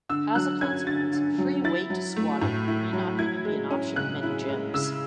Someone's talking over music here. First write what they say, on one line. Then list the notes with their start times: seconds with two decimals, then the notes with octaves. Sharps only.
As a consequence, free-weight squatting may not even be an option at many gyms.
0.09 D3 E6
0.35 F#3 F#6
0.61 C#4 G#6
0.87 D3 A6
1.13 D3
1.38 F#3
1.64 E4 A6
1.90 F#3
2.16 A3
2.41 A2
2.68 E4
2.93 F#3
3.19 E4 G#6
3.45 G#3
3.70 C#4
3.96 C#3 F#6
4.23 E4
4.48 G#3
4.74 C#3 E6